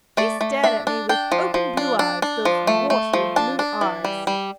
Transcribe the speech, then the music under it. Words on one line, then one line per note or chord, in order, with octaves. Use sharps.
He stared at me with open blue eyes--those watery blue eyes.
A3 D5
A3
D4 E5
D4
D4 G5
F3
F3
D4
D4
D4
F3
A3
A3
F3
D4 A5
D4
E3
G3
G3